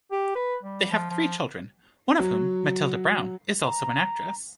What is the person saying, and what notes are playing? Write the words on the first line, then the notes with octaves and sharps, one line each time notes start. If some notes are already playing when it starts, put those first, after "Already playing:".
They have three children, one of whom, Matilda Brown, is also an actress.
G4
B4
G3
F3
F3
F#3
A#5